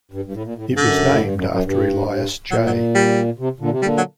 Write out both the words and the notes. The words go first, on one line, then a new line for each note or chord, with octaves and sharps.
It was named after Elias J.
G2
G2
A2
A#2
A2
G2
F#2 D3
A2
G2
F#2
F#2
G2
F#2
G2
A#2 F#3
F#3
G3
C3
A#2 D3
C3
A#2 D3 G3
F#3